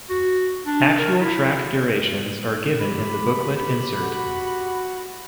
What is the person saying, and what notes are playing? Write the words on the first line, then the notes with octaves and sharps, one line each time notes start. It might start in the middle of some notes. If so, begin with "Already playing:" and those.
Actual track durations are given in the booklet insert.
F#4
D4
A#4
E4
G4 B5
F#4